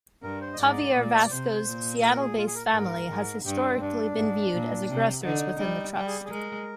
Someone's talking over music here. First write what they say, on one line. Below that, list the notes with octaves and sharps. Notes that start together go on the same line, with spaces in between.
Javier Vasco's Seattle-based family has historically been viewed as aggressors within the Trust.
G2 A#4
C5
D#5
G#2 D5
A#2
D5
C3 C5
A#2
A#4
G#4
F4
G#4
A#4
G#2 A#4
G#2
G2 G4
D4
C4
G2 D4
G#2
A#2
C3
D3 D#4
G3
G3 G4
G#4
G#4
G#3 A#4